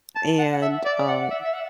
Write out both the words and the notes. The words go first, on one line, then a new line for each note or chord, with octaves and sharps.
and, um
A5
F#5
E5
D5
F#5
E5
E5
F#5